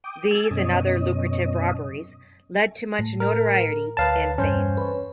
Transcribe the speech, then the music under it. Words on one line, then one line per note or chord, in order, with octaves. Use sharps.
These and other lucrative robberies led to much notoriety and fame.
G5 D6 D#6
G#5 A5 E6
F#2 B2 C#4 D#5
A2
A#4
D2 B4 C#5 F5 A5 A#5
E2 G2 C#4 C5 G6
B4 C#5